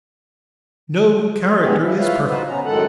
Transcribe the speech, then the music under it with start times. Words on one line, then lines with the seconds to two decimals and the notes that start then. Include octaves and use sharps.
No character is perfect.
1.59 B2 D3 B3 E4 G4 G#4
1.81 F3 E4
1.98 E4 F4 B4 C#5 E5 F5
2.27 D#4 F4 F#4 B4 C5
2.47 B3 C#4 A#5
2.65 F#2 A2 D#3 G#3 A4 F#5